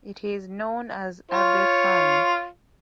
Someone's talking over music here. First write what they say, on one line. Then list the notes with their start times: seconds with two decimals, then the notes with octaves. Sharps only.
It is now known as Abbey Farm.
1.31 F4 C#5